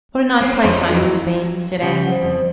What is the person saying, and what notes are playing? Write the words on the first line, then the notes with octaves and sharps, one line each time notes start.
"What a nice play-time this has been," said Anne.
C4 C#4
F2 C#4 D4 C5
E3 F#3
C#3 G3 F#5
C5
F2